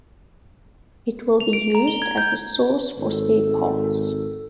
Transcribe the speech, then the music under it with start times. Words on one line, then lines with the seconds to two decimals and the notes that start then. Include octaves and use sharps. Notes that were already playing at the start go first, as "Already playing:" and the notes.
It will be used as a source for spare parts.
1.40 F7
1.53 D7
1.75 A#5
1.88 G7
2.02 G#6
2.17 G6
2.97 G#1 A4